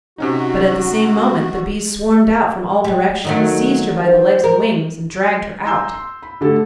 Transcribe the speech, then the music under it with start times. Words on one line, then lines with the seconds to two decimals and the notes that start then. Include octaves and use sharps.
But at the same moment the Bees swarmed out from all directions, seized her by the legs and wings, and dragged her out.
0.18 C3 C#4 D#4 F#4
2.84 G3
3.25 D#3 F#3 A3
4.04 C5
4.44 A#4
5.65 G#5 A#5 C6 E6 G6
5.93 C6
6.23 B5
6.41 D3 A3 G4 A4